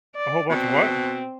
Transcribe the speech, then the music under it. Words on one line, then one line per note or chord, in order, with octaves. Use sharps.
A whole bunch of what?
D5
B2 C4